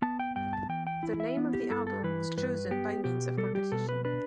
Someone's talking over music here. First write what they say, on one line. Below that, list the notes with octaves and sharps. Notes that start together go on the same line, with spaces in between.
The name of the album was chosen by means of competition.
B3 A5
G5
G2 G5
A5
E3 G5
G5
E4
E5
B3
G4
G2 A4
A4
E3 B4
G2 B4
B3 G4
B2 G4
G3 A4
G4
B2 A4
B4
D4 B4